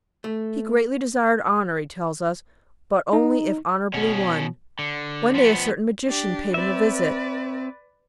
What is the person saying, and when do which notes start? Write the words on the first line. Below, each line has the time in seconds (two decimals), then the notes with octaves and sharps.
He greatly desired honour, he tells us, but only if honourably won. One day a certain magician paid him a visit.
0.24 A3
3.13 D#4
3.94 B2 C#4
4.79 D3
5.34 F3 B3
6.07 D4 G4
6.54 C4 B4 D5 E5